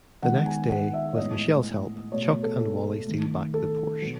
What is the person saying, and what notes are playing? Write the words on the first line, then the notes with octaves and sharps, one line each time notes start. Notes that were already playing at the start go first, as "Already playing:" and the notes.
The next day, with Michelle's help, Chuck and Wally steal back the Porsche.
D#3 G#3 B3 F#5
G#5
F#5
E5
C#5
A2 G#3 B3 D#5
B2 A3 C#5
C#5
A4
D#3 A3
A4
B2 F#3 B3